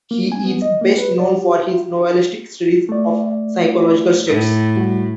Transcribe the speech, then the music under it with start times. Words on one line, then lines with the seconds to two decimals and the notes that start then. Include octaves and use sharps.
He is best known for his novelistic studies of psychological states.
0.11 A#3
0.32 G#5
0.45 B3
0.62 D#5
0.81 A#3
0.98 B4
1.19 D5
1.35 G4
2.89 A3 D5
4.27 A2
4.76 G3 F#4